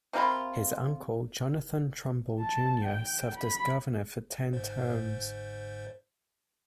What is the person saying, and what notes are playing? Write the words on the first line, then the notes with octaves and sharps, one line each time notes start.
His uncle, Jonathan Trumbull Junior served as governor for ten terms.
C3 A#3 F4 B5
A5
G5
B5
G1 G#2 C5